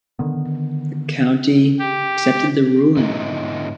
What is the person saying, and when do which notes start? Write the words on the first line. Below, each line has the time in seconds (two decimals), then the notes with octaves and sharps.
The county accepted the ruling.
0.19 D3 D#3 B3
1.79 G4
2.96 G#2 D3 B3 D#4 E4